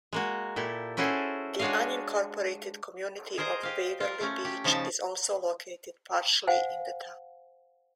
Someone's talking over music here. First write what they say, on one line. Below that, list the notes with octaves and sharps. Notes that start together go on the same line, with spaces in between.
The unincorporated community of Waverly Beach is also located partially in the town.
G#3 A#3 F#4
A#2 E4 G4 A4
C#4 E4 F#4 G#4 A4 C5
G#3 D4 F#4 C#5 D#5 F5
G#4 A#4 C5 D#5 A#5
G4 F5
F4 A#4
A3 C#4
G4
C#3 F3 D#4 A5
C5 F5 F#5 G#5